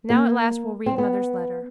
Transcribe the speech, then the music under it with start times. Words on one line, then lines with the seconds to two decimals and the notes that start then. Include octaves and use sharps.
Now at last we'll read mother's letter.
0.10 A#3
0.86 C4
0.98 B3